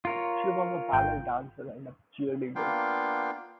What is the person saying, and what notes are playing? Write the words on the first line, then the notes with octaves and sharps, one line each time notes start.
She was a ballet dancer and a cheerleader.
F4 A#4 C#5
G#1 G5
A#3 B3 D4 F4 F5 G5